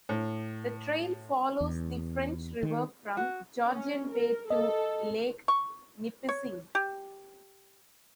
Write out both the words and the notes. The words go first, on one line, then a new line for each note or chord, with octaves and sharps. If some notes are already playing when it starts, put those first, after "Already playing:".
The trail follows the French River from Georgian Bay to Lake Nipissing.
A2
E2
D#3
F#4
C#4
A#4
A4 D#5
C#6
C#5
G4